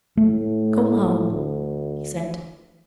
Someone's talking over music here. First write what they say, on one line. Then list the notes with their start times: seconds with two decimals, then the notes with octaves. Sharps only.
"Come home," he said.
0.17 A2 A3
1.31 D2